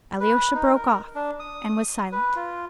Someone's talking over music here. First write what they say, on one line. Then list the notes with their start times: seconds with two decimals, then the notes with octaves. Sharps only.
Alyosha broke off and was silent.
0.20 B4
0.54 D#4
0.75 A#4
1.15 D4
1.40 D#6
2.12 B4
2.36 F4